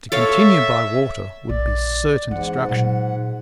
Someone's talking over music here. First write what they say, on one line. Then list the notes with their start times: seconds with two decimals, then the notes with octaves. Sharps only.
To continue by water would be certain destruction.
0.12 A4 C#5 E5 F5
1.49 A#1 D5
2.31 G#2 E3 B3 F#5
2.69 A#2 F#3